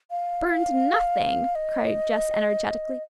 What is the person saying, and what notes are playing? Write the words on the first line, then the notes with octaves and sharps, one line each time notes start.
"Burned, nothing!" cried Jess energetically.
F5
D#5